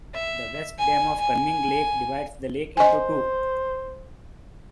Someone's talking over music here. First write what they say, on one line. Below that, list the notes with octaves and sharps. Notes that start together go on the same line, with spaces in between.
The West Dam of Kunming Lake divides the lake into two.
E5
G#5
G#5
C5 D#5 G#5